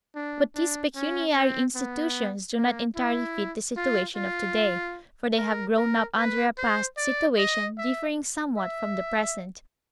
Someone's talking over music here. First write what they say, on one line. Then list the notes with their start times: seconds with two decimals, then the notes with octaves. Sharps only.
But these pecuniary institutions do not entirely fit the situation of today, for they have grown up under a past situation differing somewhat from the present.
0.15 D4
0.55 D4
0.95 C#4
1.35 C4
1.75 B3
2.56 A#3
2.96 E4
3.76 F4
4.16 F4
5.37 A#4
5.77 A#4
6.17 B4
6.58 C5
6.97 D5
7.38 D#5
7.78 E5
8.58 E5